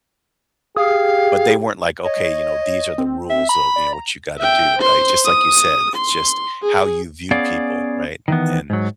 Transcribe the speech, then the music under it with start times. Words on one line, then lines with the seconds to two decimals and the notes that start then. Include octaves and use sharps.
but they weren't like, "Okay, you know, these are the rules of, you know, what you gotta do." Right? Just like you said, it's just how you view people, right? And,
0.77 G4 G#4 F5
2.05 C#5 D#5
2.98 C4
3.30 E5
3.49 A#5 B5
3.76 D5
3.93 A#5
4.39 E5 G5
4.78 C5 C6
5.26 D#6
5.96 C6
6.63 G#4
7.31 B3 C#4 G#4 D5 F5
8.28 D#3 E3 B3
8.70 G#2 F#3